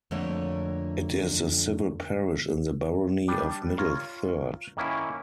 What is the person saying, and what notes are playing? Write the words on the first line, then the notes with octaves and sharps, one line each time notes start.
It is a civil parish in the barony of Middle Third.
F2 D3 A3 A#3 C#5
G3 D4
F4 A#4 C#5
D#3 A#3 C#4 E4